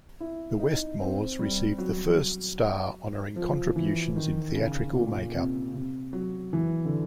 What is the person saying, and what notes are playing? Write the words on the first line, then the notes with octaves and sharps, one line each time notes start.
The Westmores received the first star honoring contributions in theatrical make-up.
E4
D#4
C4
G3
F#3
F3
E3
D#3
C#3
A#2
C3
C3
F#3
E3
D3